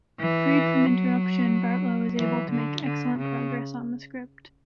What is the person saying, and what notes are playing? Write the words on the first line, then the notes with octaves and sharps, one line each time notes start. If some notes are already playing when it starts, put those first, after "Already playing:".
Freed from interruption, Bartlow is able to make excellent progress on the script.
E3
F#3
E3
D3
D3
C#3